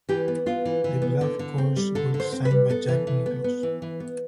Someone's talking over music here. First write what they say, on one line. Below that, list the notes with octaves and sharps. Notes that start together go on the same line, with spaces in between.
The Bluff course was designed by Jack Nicklaus.
E3 G4
B3
B3 F4
E3
E3
B3
D3
D3
C4
G3
D3 A4
D3
C5
C4
B4
G3
B3 A4
E3
E3
B3
B3
E3
E3
B3